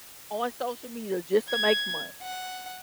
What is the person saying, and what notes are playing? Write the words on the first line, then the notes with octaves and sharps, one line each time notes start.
on social media just to make money.
G#6
F#5